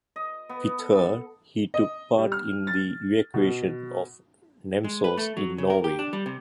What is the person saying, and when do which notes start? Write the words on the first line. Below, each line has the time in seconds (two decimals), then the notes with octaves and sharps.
With her he took part in the evacuation of Namsos in Norway.
0.16 D#5
0.49 B3
0.79 A4
1.74 D#5
2.18 G3
2.32 F6
2.67 A6
3.34 B2
4.84 G#3
5.04 B4
5.18 A3
5.37 F#3
5.58 C#3
5.70 A#4
5.84 G4
5.99 D4
6.13 G3
6.26 C3